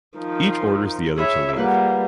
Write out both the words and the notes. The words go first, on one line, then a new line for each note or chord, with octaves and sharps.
Each orders the other to leave.
D#3 F3
C6
G#4 C#5 E5 B5 B6
G3 A#3 F4 B4 F#5